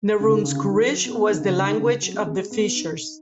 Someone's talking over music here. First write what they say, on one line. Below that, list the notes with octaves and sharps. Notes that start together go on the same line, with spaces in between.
Nehrungs-kurisch was the language of the fishers.
C#3
D#3
C#3
C#3
D#3
F#3
B3
D#3
C#3
C#3
D#3
C#3
F#3
G#3
G#3
B3
D#4